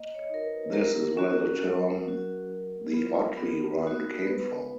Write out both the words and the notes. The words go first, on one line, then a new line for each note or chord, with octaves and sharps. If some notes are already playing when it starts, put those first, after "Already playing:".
This is where the term "the Otley Run" came from.
Already playing: A#3 D#5
C#5
D#4 F#4 A#4
B4
A#3 A#4
C#4 F#4
F#3
C#4 F#4
F#3
B3 F4
B3
D#4 F#4
B3 B4